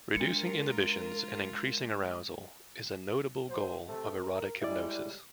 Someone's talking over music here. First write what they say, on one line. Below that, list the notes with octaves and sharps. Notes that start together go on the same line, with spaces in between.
Reducing inhibitions and increasing arousal is a notable goal of erotic hypnosis.
G#3 D4 F4 A#4 C#7
F#3 C5
C3 A3 A4
A#4
A2 G3 G#3 E4 D5